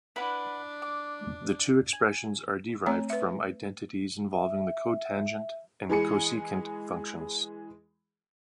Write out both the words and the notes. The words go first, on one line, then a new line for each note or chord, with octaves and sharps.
The two expressions are derived from identities involving the cotangent and cosecant functions.
D4 E4 B4 F#5 B5
D6
G#5
A3 C4 C#5 A#5
B4 E5
E5
E3 G#3 G#4 C#7